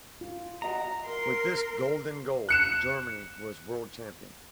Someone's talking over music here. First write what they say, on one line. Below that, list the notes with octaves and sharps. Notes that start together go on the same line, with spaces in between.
With this Golden Goal Germany was world champion.
F4
F#4 D#5 F#5 A#5
A#4 C6
F#6 C#7 E7